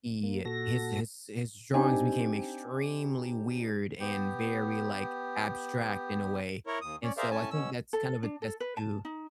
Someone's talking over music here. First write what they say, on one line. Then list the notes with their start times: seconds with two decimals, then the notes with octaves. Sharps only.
he his his his drawings became extremely weird, and very, like, abstract in a way, and so I think that's kind of a test to
0.23 A#3
0.45 A#2 F#4 A4 A#6
1.74 C4 D4 D#4 G4 G#5
4.00 B3 G4
6.67 E4 A#4 C#5
6.81 D#2 D#6
7.03 C#4 D5
7.18 G#4 A#4 C5 D5 E5 F5
7.31 A2 C#4 G#5 A5
7.51 B2 C#4 E6
7.93 A4
8.23 D4
8.42 A4
8.60 B4
8.77 A5
9.05 D#4